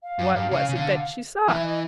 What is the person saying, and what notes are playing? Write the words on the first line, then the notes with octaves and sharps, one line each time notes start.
What was it that she saw?
F5
F#2
G2
C#3
C#3
D3
E3 E5
D#5